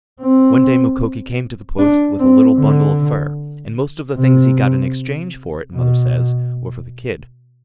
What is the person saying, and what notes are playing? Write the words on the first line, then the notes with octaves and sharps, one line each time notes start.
One day Mukoki came to the Post with a little bundle of fur, and most of the things he got in exchange for it, mother says, were for the kid.
C4
D4
C4
D3
C3
B2